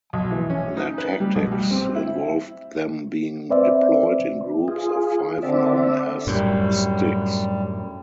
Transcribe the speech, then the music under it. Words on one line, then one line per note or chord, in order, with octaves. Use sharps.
Their tactics involved them being deployed in groups of five known as "sticks".
B1
E3
C#4
D#4
B4
G3
B1
G3
C4
E4
C4 B4 C5 D5 E5
F4 G#4
D3 C4 D5 E5
F#2 A2 G3